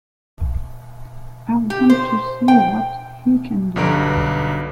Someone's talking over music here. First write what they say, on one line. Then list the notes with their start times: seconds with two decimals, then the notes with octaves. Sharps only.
I want to see what he can do.
1.70 G4
1.90 C5
2.48 G5
3.76 B1 G2 D3 B4 A#5 D7